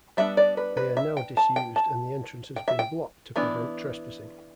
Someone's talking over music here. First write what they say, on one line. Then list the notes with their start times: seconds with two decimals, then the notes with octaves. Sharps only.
They are now disused and the entrance has been blocked to prevent trespassing.
0.17 G3 B3 D4 E5
0.37 D5
0.57 B4
0.77 B4
0.97 E5
1.17 G5
1.37 A5
1.56 G5
1.76 A5
2.56 G5
2.68 E5
2.79 G5
3.36 E3 B3 D4